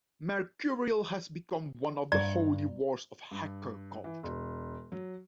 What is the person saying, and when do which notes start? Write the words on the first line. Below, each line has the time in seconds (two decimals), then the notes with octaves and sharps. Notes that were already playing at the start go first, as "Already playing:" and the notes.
Mercurial has become one of the holy wars of hacker culture.
2.12 G2 D5 A#5
3.31 G2
4.04 E3
4.23 E1
4.92 F#3